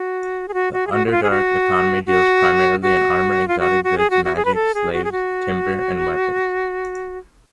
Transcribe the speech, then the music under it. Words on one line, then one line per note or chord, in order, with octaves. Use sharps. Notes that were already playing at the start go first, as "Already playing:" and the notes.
The Underdark economy deals primarily in armor, exotic goods, magic, slaves, timber and weapons.
Already playing: F#4
G#4
F#4
F#4
G#4
F#4
F#4
F4
G#4
F#4
F#4
F#4
F4
F#4
F#4
G#4
F#4
F#4
G#4
B4
A4
G#4
F#4
G#4
F#4